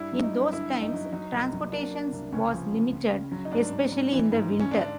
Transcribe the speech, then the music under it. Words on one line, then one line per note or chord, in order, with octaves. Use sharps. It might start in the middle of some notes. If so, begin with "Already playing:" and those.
In those times, transportation was limited, especially in the winter.
Already playing: G2 G3 E4
F#3
D#4
G2
D3 E4
F#2
D#4
F#3
F#3 D#4
C2
F#3
A#3 D4
A#3
C2
C#2 C#4
F3
C#2
C#2
C#3
F#3
D#4
G#2 D4
G#2
G#2
E3
G#2
G#2
C#4
D3 D4